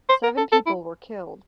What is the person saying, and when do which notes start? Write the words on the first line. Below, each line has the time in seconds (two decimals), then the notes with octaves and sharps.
Seven people were killed.
0.09 C5
0.23 A#4
0.37 A4
0.52 A4
0.66 E4